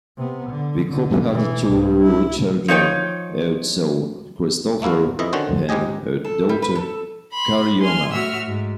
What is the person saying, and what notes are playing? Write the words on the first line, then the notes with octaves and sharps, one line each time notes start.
The couple had two children, a son Christopher and a daughter Karianna.
C3 B3
D3
D3
B2 E3
C2 G#2
E4
F3 D#4 C#5 G5
A3 A#3 E4 F#4 F5
F2 E3 E4 D#5
D3 D#3 C#4 F#4 C5
C#2 G#2 G#3 G4 D#5 G#5
A4
G3
B4
A4
B5 C6
G#5 C6 F6
A2 F#4 E5 E6 F6
G#2